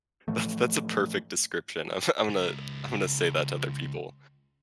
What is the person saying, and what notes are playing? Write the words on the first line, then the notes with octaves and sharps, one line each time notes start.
That's that's a perfect description of I'm gonna I'm gonna say that to other people.
A2 E3 F3 A3
C#2 A#5